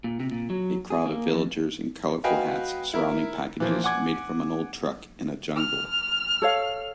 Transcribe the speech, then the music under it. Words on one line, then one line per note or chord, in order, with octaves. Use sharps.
A crowd of villagers in colorful hats surrounding packages made from an old truck in a jungle.
A#2
C3
A#2
F#3
G#4
A#3
F2
F#4 B4 D#5 F5 G5 G#5
E4 A#4
E3 F3 A#3
F#5 G#5 D6 G#6
F6
A4 C#5 F5